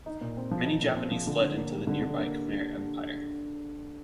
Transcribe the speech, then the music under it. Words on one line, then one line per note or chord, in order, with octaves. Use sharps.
Many Japanese fled into the nearby Khmer Empire.
D#4
A#2
C4
F3
D#4
A#2
C4
F3
D3
D3
A#3
G3
D3
D3
A#3